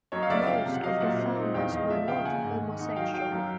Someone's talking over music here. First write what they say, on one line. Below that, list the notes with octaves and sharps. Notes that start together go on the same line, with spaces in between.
Most of the founders were not homosexual.
F#2 C#5 D#5
F5
C#3 D5 E5
F3 F5 G5
C3
F#5
F#3 D#5 F5
A#2 E5 F#5
C4
D#4
E2 F5 G5
E2 D#5 F5
F3 D5 E5
C#3 F5 G5
A#3 F#5 G#5
G#2
D#3
D#4
F#3 F5 G5
F#3 F5 G5
F#2